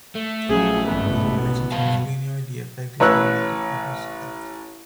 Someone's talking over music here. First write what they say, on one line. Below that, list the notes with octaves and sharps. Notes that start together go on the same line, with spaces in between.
Where the relationship is linear, the effect is known as the Pockels effect.
A3
A#1 F3 F#3 C#4 G#4
G#1 G2 E3 B3
B2
B1 G2 B2 F5 A5
A1 B4 C#5 E6 F#6